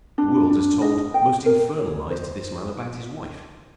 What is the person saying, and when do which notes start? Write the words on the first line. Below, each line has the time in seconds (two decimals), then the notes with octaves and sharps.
The world has told most infernal lies to this man about his wife.
0.18 D4
0.50 D4
0.82 D#5
1.14 G5
1.46 A#4
1.78 C#5
2.11 C5